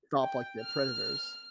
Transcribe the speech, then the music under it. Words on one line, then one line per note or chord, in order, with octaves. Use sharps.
drop, like, their predators.
G5
F6